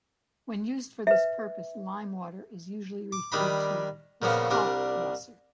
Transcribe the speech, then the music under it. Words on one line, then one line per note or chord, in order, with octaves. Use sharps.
When used for this purpose, limewater is usually referred to as "Kalkwasser".
B4 E5
D6
D#3 G3 D4 D#4 B5
A#2 C#3 F3 A#3 B3
C2 G3 D4 A#4